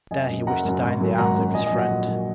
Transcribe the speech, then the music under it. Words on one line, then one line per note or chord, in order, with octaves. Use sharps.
There he wished to die in the arms of his friend.
F#1 D#5 G#5
F#2 F#3
F#1 F#5 A#5
F#2 F#3
G#1
F#2 D#3 F#3
G#1 F#5 A#5
F#2 D#3 F#3
A#1 D#5 G#5
D#5 G#5
A#2 F#3
F#5
A#1
A#2 F#3